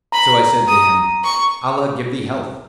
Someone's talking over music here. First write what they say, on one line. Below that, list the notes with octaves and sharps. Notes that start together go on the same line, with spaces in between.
So I said to him, 'Allah give thee health!
A#5 B5
A#5 D#6
C#6